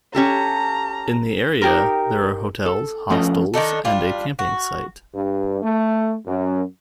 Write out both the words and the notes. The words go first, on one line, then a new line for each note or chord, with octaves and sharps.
In the area there are hotels, hostels, and a camping site.
C#4 G4 A4 A#5
D#4 G4 A#4
A4
F3 A3 C#4 A4 D#5
D#3 D4 D#4 A4
G3 D4 F4
F#4
G2
A3
F#2